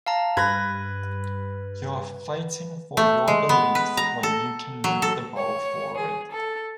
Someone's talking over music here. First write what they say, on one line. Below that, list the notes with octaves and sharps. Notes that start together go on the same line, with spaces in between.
You're fighting for your beliefs when you can move the ball forward.
F5 A5 A#5
G2 B4 G#6 A#6
A3
G#3
B3
B4
A#5
A4
F#3
A4
C#5
G#4
A4